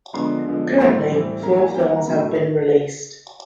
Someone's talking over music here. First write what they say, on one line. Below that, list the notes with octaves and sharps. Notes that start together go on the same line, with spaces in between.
Currently four films have been released.
D3 F3 G#3 B3 D4 C6
D3 F3 G#3 B3 D4
A2 E3 G3 C4 C6
A2 E3 G3 C4
E3 G3 A#3 A#5
G#5
E3 G3 A#3 G5
F#5
A#5
A2 F#3 A3 D4 B5